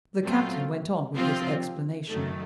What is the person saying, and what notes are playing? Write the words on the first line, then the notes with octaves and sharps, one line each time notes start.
The Captain went on with his explanation.
A#2 F#3 A3 C4 F4
C3 F3 C4 F4
F#2 D#3 F#3 A3